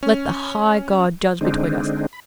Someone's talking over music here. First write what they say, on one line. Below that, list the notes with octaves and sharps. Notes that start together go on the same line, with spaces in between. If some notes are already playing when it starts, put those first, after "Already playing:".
'Let the high God judge between us.
C#4
D3 G#3 C4 D4 D#4
B5